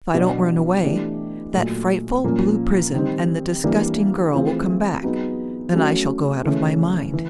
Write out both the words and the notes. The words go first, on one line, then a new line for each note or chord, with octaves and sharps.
If I don't run away, that frightful blue prison and the disgusting girl will come back, and I shall go out of my mind.
B2 F#3 B3 D4
E3 A3 D4 G4
A#2 F#3 A3
A#2 F3 A#3 C#4
D#3 G3 C4
E3 G3 A#3 D4
E3 A3 C4 F4 G#4
F#3 B3 D#4 G#4
F#3 A3 C#4 F#4
C#3 E3 A3 C#4
E3